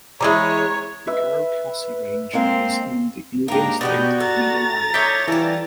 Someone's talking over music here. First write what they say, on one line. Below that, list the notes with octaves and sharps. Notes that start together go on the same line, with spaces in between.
The Garo-Khasi range is in the Indian state of Meghalaya.
D3 E3 G#3 C4 E4 C#5 A#5 G#6
B4 E5
G#3 A#3 C4 F5
G#2 A#3 D4 G4 A#5
B2 B3 D#4 F#4 G4 D5 G6
A4 A#5 A6
A3 D#4 A4 C#5 D6 G6 B6
E3 G3 D4 E4 F4 A4